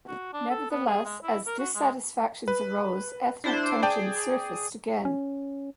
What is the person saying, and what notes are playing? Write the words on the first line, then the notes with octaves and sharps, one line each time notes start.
Nevertheless, as dissatisfaction arose, ethnic tensions surfaced again.
F#4
D4
A4
B3
G#4
G#3
E4
A#4
F#4
G#3
B4
D4 E4 C5
G#4 D5 G5 A5
C#4